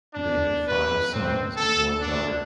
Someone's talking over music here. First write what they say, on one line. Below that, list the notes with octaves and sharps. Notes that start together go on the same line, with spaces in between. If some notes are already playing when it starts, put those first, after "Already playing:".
They had five sons and one daughter.
D4
B4
C4
A4
D4